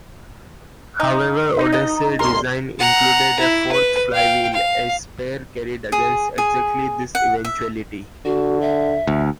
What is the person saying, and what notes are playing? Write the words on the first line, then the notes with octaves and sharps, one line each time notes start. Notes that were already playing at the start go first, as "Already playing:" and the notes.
However, "Odyssey"s design included a fourth flywheel, a spare carried against exactly this eventuality.
D#4
D#4
B2 D#5
G1 C2 A#4 C6
F#5 A#5
E4
B4
F5 G5
F5
G#4
G#4
F#5
E5
D3 F#4
E5
D2